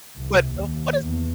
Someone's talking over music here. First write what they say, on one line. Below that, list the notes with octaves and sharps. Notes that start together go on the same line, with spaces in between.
but, oh, what is
C2
D#2
E2